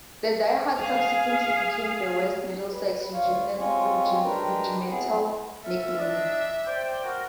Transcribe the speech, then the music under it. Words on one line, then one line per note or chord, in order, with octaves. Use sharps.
The 'Die Hards' subsequently became the West Middlesex's regimental nickname.
G#4 F5
B4
D2 F4 C#5 F5
G#3 C4 C#4 F4 G4 C#5
G#3 D4 G4 A#4 B4 G5
B3 C4 E4 G#4
F#2 F4 A4 E5
D4 D#5
C5 D5 G5
F#4 A#4